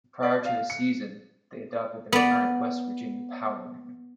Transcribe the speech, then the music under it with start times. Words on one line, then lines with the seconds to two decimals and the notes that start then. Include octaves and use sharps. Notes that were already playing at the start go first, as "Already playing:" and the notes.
Prior to the season, they adopted their current West Virginia Power name.
0.23 D5
0.45 F5
0.70 C#7
2.12 B3 D5